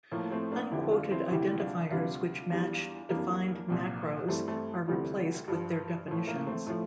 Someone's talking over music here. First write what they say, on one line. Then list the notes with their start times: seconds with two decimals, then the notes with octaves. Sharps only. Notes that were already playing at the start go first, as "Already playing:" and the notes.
Unquoted identifiers which match defined macros are replaced with their definitions.
0.12 A2 F3 A#3
0.31 A3 C4
0.52 A#3 D4
0.71 F2 D3 F3 E4 G4
0.91 D4 F4
1.11 C4 E4
1.31 D2 C3 E3 G3 E4 G4
1.60 D4 F4
1.90 D2 C3 G3 D4 F4
2.50 E2 E3 G3
3.09 F2 E3 G3 A#3 D4
3.68 C2 A#2 F3
4.28 G2 E3 G3 A3 C4
4.48 A3 C4
4.88 D2 C3 E3 G3 A3 C4
5.48 G2 F3
6.07 A2 F3
6.27 A#3
6.47 A3 C4
6.66 A2 F3 A3